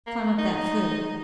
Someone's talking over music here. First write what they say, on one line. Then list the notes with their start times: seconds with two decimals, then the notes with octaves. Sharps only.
"Climb up that flue."
0.07 A#3
0.39 D#4